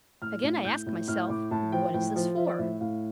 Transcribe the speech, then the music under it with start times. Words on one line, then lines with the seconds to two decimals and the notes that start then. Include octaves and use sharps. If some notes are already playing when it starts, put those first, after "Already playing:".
Again I ask myself, What is this for?
0.22 A2 F6
0.43 A2
0.65 A2 G6
0.86 A2
1.08 A2 F6
1.29 A2 D6
1.51 A2 A5
1.72 F3 G5
1.94 A2 G5
2.16 F3
2.37 F3 E5
2.48 D5
2.59 A2 E5
2.80 A2 F5